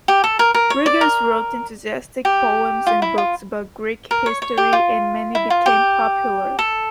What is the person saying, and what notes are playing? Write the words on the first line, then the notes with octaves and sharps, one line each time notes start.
Rigas wrote enthusiastic poems and books about Greek history and many became popular.
G4
A4
A#4
A#4
C#5
D5
A#4
G4
F4
E4
F4
A#4
C#5
C#5
G4
F4
E4
F4
G4
A4